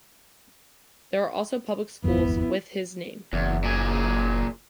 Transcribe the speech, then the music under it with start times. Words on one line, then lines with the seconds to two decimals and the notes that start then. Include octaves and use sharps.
There are also public schools with his name.
2.04 D#1 G#1 F2 B3 E4
3.33 F#1 E2
3.64 A#2 G#4